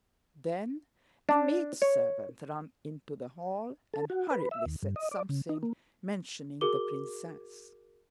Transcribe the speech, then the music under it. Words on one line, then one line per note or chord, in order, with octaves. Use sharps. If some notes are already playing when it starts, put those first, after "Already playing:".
Then a maidservant ran into the hall and hurriedly said something, mentioning the princess.
D4
C#5
A4
F#4
B4
E5
D#2
G2
D#5
D5
C#3
D#4
A#3
F#4 G#4 A#4 D6 G7